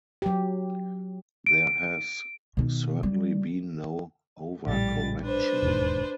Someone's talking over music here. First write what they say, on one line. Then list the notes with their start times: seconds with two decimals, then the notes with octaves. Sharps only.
There has certainly been no overcorrection.
0.22 F#3 G4
1.46 D7
2.57 B2 D#3
3.03 G3
4.67 A#1 A2 G3 A6
5.23 D4 B4 C5
5.62 E1 D#2 G#2